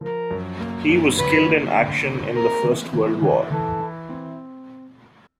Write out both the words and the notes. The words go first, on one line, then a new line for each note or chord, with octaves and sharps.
He was killed in action in the First World War.
F3 A#4
F#2
A#3
F#2
D3 B4
A#3
D3
A#3
C4 A#4
E3
E3
E3
E3 A4
E4
C4